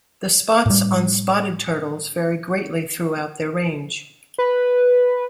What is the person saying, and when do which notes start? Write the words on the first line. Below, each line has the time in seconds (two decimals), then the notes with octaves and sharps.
The spots on spotted turtles vary greatly throughout their range.
0.66 A2 G3
4.38 B4